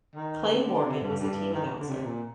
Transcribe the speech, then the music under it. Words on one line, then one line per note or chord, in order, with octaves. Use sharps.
Clay Morgan was the team announcer.
D#3
D3
C3
G2
G2
D#3
D3
C3
A#2